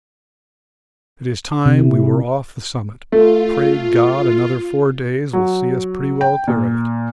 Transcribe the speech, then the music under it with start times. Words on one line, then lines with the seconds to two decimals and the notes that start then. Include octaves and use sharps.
It is time we were off the summit--Pray God another four days will see us pretty well clear of it.
1.66 C3
1.79 E4
3.12 A3 F4
5.33 F#3
6.21 G5
6.47 A#2